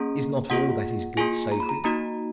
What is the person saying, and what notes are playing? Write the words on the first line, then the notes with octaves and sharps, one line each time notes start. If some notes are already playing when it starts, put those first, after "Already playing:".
Is not all that is good sacred?
Already playing: A#3 C#4 G#4 A#5
A#3 F4 G#4 F#5
A#3 F4 G#4 G#5
A#5
B5
A#5
A#3 D#4 F#4 A#5